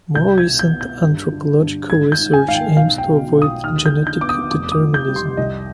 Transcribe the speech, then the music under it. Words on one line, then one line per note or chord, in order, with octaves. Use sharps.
More recent anthropological research aims to avoid genetic determinism.
C2 G6
G#6
B2
G6
B3
G6
G2
D3
G2
G#1 G#6
G6
G#2
G#5
G#1 F5
G5
B1 F5
G5
B2
B1
D#6
D#2 F6
G6
D3
G6
B3 D6
D#6
F1 D6
D#6
F2
G6
G3
C6
C2 D#5